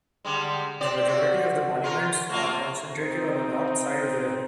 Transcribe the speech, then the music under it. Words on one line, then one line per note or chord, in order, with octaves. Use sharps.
The majority of the monuments are concentrated on the north side of the river.
D3 G3 G#3
C4 G4 D5
F#4
F4 F#4 A#4
A3 A#3 F4
C4 D#4